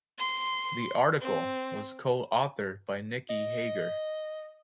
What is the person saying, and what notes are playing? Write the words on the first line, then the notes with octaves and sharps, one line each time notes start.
The article was co-authored by Nicky Hager.
C6
C4
D#5